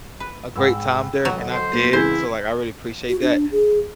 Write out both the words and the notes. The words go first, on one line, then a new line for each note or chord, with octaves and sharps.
a great time there, and I did, so, like, I really appreciate that.
B4
G#2 G5 B5 E6
D2 F#3 D#5
C5
A#3 F4 A#4
C#2 E3 C4 E4 G#4 C5
F#4
D4
G#4